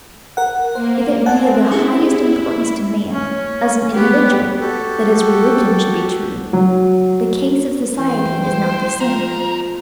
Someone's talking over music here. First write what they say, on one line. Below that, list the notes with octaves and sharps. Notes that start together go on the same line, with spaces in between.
If it be of the highest importance to man, as an individual, that his religion should be true, the case of society is not the same.
A#4 F#5
A#3 C5
C4 F#5 G#5 A5
C#4 E4 G4 G#4
C#4
B3 G4
F#4 G4 A4
F#3
E3 C5 G5
D#2 F3 A#4